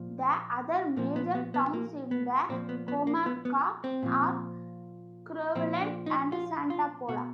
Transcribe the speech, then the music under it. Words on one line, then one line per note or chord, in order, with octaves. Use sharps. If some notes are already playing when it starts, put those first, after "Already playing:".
The other major towns in the comarca are Crevillent and Santa Pola.
Already playing: A#2 F3
A#2 F3 A#3
B3
B3
B3
A#3
B3
A#2 F3 C4
B3
B3
A#3
B3
B3
C4
A#2 F3
A#2 F3 C4
D4
D#4
F4
F4
B2 F#4